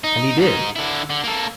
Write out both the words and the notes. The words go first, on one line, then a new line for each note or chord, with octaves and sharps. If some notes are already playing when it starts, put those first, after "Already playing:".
And he did.
D#4
G#2 D#4
D3 E4
D3
A#3 A4